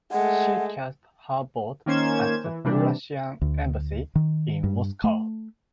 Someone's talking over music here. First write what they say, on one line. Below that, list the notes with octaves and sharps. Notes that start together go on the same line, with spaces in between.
She cast her vote at the Belarusian embassy in Moscow.
G#3 A3 F#5
D#3 A#3 C#4 C5 G#6 E7
E3
C3 E3 G3 D4
D2
D#3
G2
A3